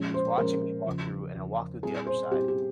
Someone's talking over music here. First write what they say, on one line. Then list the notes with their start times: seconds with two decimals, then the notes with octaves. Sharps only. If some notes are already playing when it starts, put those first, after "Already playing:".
he's watching me walk through, and I walk through the other side,
Already playing: A#2 F3 G#3 C#4
0.14 C5
0.38 A#2 F3 G#3 C#4 A#4
0.86 E2 C#3 F3
1.35 E2 C#3 F3
1.83 A#2 G3 C4 E4 G#4
2.07 C5
2.31 A#2 G3 C4 E4 G4
2.48 G4